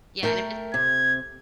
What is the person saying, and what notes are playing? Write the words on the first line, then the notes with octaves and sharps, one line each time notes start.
Yeah, and if it's
A3 A#4 G5
C3 G#6